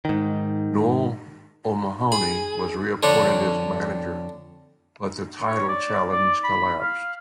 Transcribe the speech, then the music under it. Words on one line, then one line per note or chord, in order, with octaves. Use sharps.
Noel O'Mahony was re-appointed as manager but the title challenge collapsed.
G#2 D#3
G#4 B5
F2 D3 D4 C#5
C#5
D5
D5
B5
F5